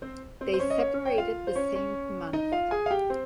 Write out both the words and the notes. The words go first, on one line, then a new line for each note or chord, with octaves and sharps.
They separated the same month.
C4 C5
C4 C5
C5
C#4 C#5
D#5
C#4 C#5
G5
F4 F5
C5
C#4 C#5
C#4 C#5
D#4 D#5
F4 F5
G#4 G#5
F5
G4 G5
C4 C5